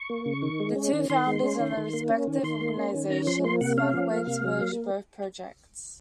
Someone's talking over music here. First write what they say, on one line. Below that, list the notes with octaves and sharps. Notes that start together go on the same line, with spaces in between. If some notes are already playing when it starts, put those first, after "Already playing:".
The two founders and the respective organizations found a way to merge both projects.
Already playing: C#6
A#3
C#3
D#3
G#3
C#4
D#3
D#3 C6
G#3
C#4
D#3
D#3
A#3
C#4
D#3
D#3 C6
A#3
C#4
D#3
C#4 A#5
F3 C6
A#3 C6
C3 F#5
C#4 F5
F3
A#3
C3
F#3
A#3